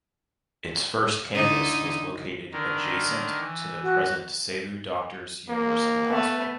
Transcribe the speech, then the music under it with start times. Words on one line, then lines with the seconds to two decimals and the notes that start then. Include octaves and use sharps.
Its first campus was located adjacent to the present Cebu Doctors' University Hospital.
1.32 D3 D#4 E4
2.52 D3 D#3 A#4
3.40 E3
3.83 F#4
5.49 A#3
6.08 A3 B3